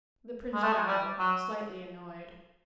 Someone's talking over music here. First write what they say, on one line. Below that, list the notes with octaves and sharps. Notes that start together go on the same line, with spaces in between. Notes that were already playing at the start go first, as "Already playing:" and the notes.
The prince bowed, slightly annoyed.
G#3
A3
G#3
G3
F#3